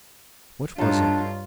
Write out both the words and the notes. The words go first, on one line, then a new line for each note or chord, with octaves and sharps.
What was it?...
G2 D4 D#4 F4 A4 C#5 A5 A#5